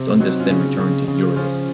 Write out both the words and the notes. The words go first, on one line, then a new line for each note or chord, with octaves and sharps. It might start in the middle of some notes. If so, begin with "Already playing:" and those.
Dundas then returned to "Euryalus".
Already playing: C3
F#3 C4 D#4
C#4 F4
C#3
C#3
C#3
F3 C#4 F4